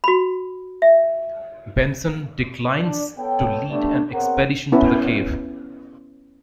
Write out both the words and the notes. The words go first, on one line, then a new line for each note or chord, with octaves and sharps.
Benson declines to lead an expedition to the cave.
F#4 B5
E5
D4 D5
B3 A4 C#5 G5
G3 A3 B3 D4
B3 C4 G#4 A#4 C#5 F#5
B3 C#4 E4 B4